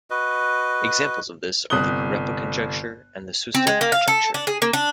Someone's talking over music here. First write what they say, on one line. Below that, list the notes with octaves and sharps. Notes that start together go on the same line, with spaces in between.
Examples of this are the Kurepa conjecture and the Suslin conjecture.
F#4 B4 D#5
G1 C3 D#6 F#6 G7
C4
G#3
A#3
F5
A4
D4
G#4
A#3
D4